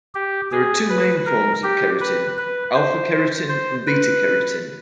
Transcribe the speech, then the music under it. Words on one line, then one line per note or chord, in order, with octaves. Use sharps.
There are two main forms of keratin, alpha-keratin and beta-keratin.
G4
G#4
B4
A#4
G4
B4
B4
C5
C5
B4